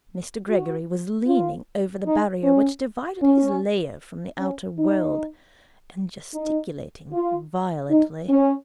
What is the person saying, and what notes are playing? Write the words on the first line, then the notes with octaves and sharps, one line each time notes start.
Mr Gregory was leaning over the barrier which divided his lair from the outer world, and gesticulating violently.
F#4
F4
D#4
C#4
C#4
C#4
D#4
D#4
F4
D#4
C#4